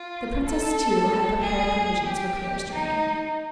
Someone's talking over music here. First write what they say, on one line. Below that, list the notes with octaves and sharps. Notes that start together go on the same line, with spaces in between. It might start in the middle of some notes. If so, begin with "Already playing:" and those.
The princess too had prepared provisions for Pierre's journey.
Already playing: F4
A4
G#4
G4
D#4